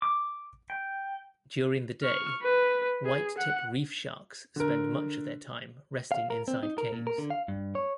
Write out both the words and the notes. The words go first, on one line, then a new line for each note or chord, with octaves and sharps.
During the day, whitetip reef sharks spend much of their time resting inside caves.
D6
G5
C#6 F6
B4
G#4
F#5
D3 A#4
F5
A#4
C4
D#4
A#4
A#2
A#4
D3
F5
G2
C#5